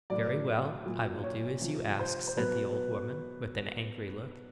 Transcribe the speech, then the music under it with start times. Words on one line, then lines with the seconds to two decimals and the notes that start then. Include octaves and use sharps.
'Very well, I will do as you ask,' said the old woman, with an angry look.
0.10 A2 F#3 D5
0.86 A#2 F#3
1.23 C#5
1.61 C3 F3
1.99 C5
2.27 C5
2.37 B2 F#3 B4